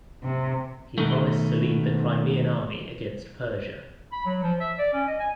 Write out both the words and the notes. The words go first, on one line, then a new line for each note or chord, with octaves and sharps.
He promised to lead the Crimean army against Persia.
C3
B2 D#3 A3
B5
F#3
F3
E5
D5
C#4
D#5
G#5